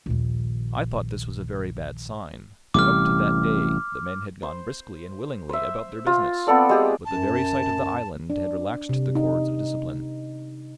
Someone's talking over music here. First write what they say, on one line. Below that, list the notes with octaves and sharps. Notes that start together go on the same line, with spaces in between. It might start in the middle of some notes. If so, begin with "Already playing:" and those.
I thought this was a very bad sign, for up to that day the men had gone briskly and willingly about their business; but the very sight of the island had relaxed the cords of discipline.
A#1 D#2
A1 C3 G3 D6 F6
C5
C5 E5
F4
B3 C4 A4 D5
G#3 G4 G#4
F#2 A5
D4
C3
D#4